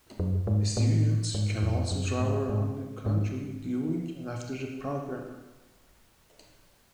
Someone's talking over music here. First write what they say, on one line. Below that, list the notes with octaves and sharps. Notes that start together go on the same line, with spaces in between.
Students can also travel around the country during and after the program.
F#2
G#2
A2
G#2
F2
F#2
G#2
G#2
G#2